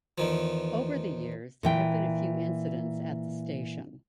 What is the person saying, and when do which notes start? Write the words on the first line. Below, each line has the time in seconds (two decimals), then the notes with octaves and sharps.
Over the years, there have been a few incidents at the station.
0.18 E2 D#3 F3
1.63 A#2 E3 G5